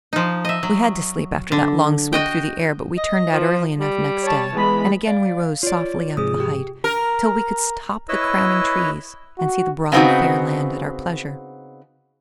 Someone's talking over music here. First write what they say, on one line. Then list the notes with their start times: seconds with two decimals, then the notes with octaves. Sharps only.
We had to sleep after that long sweep through the air, but we turned out early enough next day, and again we rose softly up the height till we could top the crowning trees and see the broad fair land at our pleasure.
0.13 F3 D#4
0.45 D#5 E5
0.63 F#3
1.52 D3
2.13 F#4 D#5 G5
2.98 D#5
3.32 F3
3.79 G3
4.23 C#5 A5
4.55 E3 G#3 B3 B5
5.07 D5 F5
5.63 F4 C#5 D5
6.17 G#2 C3 F3 G#4 D#6
6.40 G4
6.84 A#4
8.09 E4 B4 C#5 D#5 E6
9.38 F#4
9.92 C#3 B3 C4 D#4 F#4